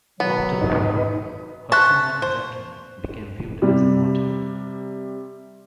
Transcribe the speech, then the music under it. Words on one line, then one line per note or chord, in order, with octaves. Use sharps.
After the war, Hotsumi Ozaki became viewed as a martyr.
B2 D#3 F#3 B3
G#2 D#4 B4 D#5
C5 E5 A5 C#6 F#6
C5
C3 G3